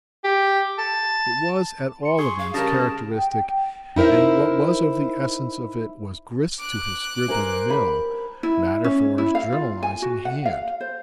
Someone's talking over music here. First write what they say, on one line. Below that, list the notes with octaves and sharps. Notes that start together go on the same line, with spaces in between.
It was at all events characteristic, and what was of the essence of it was grist to his scribbling mill, matter for his journalising hand.
G4
A5
C6 C#7
G#4 C6 C#6
F5
C#3 G3 A#4 A5 D#6 A6 A#6
G5
D#4 E4 A#4 C5 E5
D6 F#6
A#4 C5 G#5
B5
E4
C#4
E4
F5
F4
G#5
F#4
F#5
F5
C5